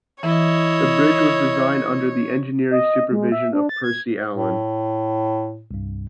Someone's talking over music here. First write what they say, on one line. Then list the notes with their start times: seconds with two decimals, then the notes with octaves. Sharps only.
The bridge was designed under the engineering supervision of Percy Allan.
0.23 E3 E4 C#5 D#5
2.71 D#5
3.12 G#3
3.32 E5
3.53 D4
3.69 A6
3.84 G#6
4.32 A2
5.71 C2 G2